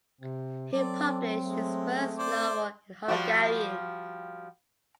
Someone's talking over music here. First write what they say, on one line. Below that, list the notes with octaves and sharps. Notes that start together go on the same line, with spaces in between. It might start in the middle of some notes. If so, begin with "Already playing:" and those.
He published his first novel in Hungarian.
C3 C4
F#3 C4 A4 D5
G#3 A3
C5 D5
F3 G3 F#4